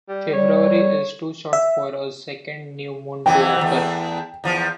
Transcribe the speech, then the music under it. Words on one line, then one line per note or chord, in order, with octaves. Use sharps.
February is too short for a second new moon to occur.
G3
G3 C#5
E5
F2 E3 F#3 G5
E2 A3
E2 F3